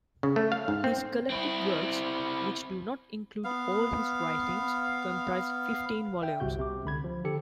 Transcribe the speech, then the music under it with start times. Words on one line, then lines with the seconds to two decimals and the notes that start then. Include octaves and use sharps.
His "Collected Works", which do not include all his writings, comprise fifteen volumes.
0.23 C#3
0.36 A3
0.52 F5
0.68 G#2
0.84 C4
1.30 C4 E4
3.44 B3 F5
6.22 E5 G5
6.40 G1 C2 C3 F#4 G6
6.59 C3 D6
6.84 C#2 D3 B5 G#6
7.04 F3
7.24 D3 G4 A4 C#7